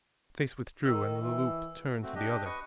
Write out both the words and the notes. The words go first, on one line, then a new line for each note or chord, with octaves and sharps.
The face withdrew and Le Loup turned to the other.
D#3 E6
E3
A3 C4 F#4
D4 G4 D#5
B4 D#5 C#6 D#6